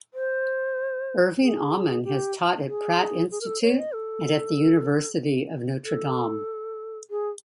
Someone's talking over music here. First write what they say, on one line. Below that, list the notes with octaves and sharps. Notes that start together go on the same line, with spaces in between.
Irving Amen has taught at Pratt Institute and at the University of Notre Dame.
C5
G#4
G4
G#4
G#4
A#4
A4
C#5
D#5
A4
A4
G#4